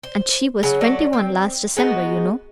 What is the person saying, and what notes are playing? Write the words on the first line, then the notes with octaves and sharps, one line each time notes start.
And she was twenty-one last December, you know.
C5
C#3 F#3
F#3 A3 D5
C4
G#3 B3 D#4 F#4